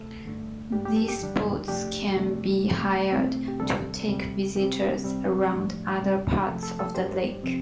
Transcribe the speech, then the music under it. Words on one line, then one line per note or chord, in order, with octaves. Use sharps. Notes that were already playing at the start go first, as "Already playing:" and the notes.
These boats can be hired to take visitors around other parts of the lake.
Already playing: D2 C3 A3 A4
G2 D3 A3 D4
G2 G3 D4 G4
G4
A4
G4
F2 D3 G3 D4
F2 C3 A3 D4 G4
F2 C3 A3 D4
C2 C3 A3
C2 C3 A3 C4
G4
D2 C3 G3 D4 A4
D2 C3 G3
C3 G3 C4 G4
C3 G3 C4
A2 F3 A3 D4
C2 C3 G3 D4
F2 C3 F3 A3 A4
A4
A4
G2 G3 D4 G4 C5
C3 F3 C4